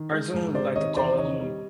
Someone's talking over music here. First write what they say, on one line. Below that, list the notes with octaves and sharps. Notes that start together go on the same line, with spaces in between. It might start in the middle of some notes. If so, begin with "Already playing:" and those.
cartoons is like the Call of Duty
Already playing: D#3
G#3
G#2
C3 C5 D5
D#3 C#5 D#5
E2 C5 D5
D#3 C#5 D#5
G3